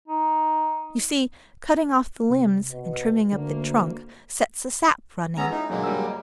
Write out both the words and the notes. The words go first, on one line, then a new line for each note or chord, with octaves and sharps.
You see, cutting off the limbs and trimming up the trunk sets the sap running.
D#4
C3
B2
D2 D3 A#3
G#3 B3 C#4 A#5 E6
D#4 E4
B1 A#2 D3 F#3 G#3 A#3
G3 E6
D5 A#5